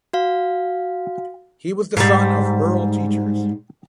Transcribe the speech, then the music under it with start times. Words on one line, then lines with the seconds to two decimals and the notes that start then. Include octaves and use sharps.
He was the son of rural teachers.
0.13 F#4 F5
1.97 G#2 G3